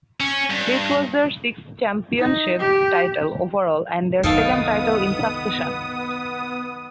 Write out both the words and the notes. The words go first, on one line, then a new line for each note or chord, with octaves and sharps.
This was their sixth championship title overall and their second title in succession.
C#4
G2
D#4
G4
C2 F#2 D#3 B3 A4 F5 D#6